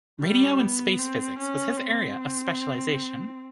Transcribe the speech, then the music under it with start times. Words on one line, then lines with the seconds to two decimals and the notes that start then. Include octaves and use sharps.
Radio and Space Physics was his area of specialization.
0.20 G3
0.60 B3
0.99 C4
1.38 C#4
1.77 C4